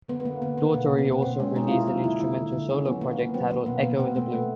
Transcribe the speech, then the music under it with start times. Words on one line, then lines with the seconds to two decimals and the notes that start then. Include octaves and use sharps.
Daugherty also released an instrumental solo project titled "Echo in Blue".
0.08 D3 B3
0.20 B3
0.25 D3 A#3
0.42 D3 B3
0.58 D3 B3
0.73 B2 A#3
0.90 B2
0.98 B3
1.07 B2
1.22 B2 C4
1.39 G#3 C#4
1.55 G#3 D#4
1.68 F4
1.71 A#3 E4
1.87 F#3 D#4
2.04 D3 E4
2.20 A#3 E4
2.37 D3
2.52 D3
2.69 D#3 C#4
2.85 F#3 B3
3.01 D#3 A#3
3.18 A#3 B3
3.34 F#3 C4
3.51 D#3 B3
3.66 B2 A#3
3.82 B2 B3
3.99 B2 C4
4.15 A3 B3
4.32 A3